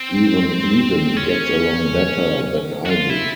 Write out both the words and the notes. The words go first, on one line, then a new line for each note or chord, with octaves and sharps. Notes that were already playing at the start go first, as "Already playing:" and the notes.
Even Eden gets along better than I do.
Already playing: C4
C#4
F#4
F4
E4